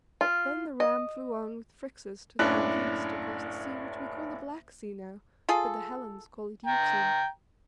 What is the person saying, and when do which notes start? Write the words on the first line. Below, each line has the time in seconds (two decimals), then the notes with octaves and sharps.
Then the ram flew on with Phrixus to the north-east across the sea which we call the Black Sea now; but the Hellens call it Euxine.
0.21 F4
0.80 D#5
2.39 F#1 A2 C#4 D4 F#6
5.49 F4 G#4 A4
6.66 G5 A#5